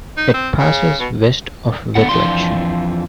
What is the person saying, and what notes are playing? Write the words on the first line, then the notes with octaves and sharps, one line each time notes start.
It passes west of Wittlich.
D#4
C4
C#3
B2
D3 B3 A4 F#5
F2 E3 F3 D4 F4 C6